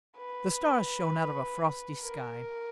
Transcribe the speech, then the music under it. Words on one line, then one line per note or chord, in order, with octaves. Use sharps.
The stars shone out of a frosty sky.
B4
A#4